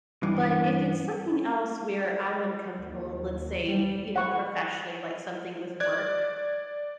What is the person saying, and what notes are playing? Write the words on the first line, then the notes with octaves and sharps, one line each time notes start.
but, if it's something else where I'm uncomfortable, let's say, you know, professionally, like something with work,
G2 E3
D#2
G3
F#5 C#6
D5 F#6 G#6